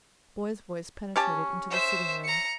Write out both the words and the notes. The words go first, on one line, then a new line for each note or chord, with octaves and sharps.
A boy's voice penetrated into the sitting-room.
C#4 G4 A5
C5 E5
A#5 C#7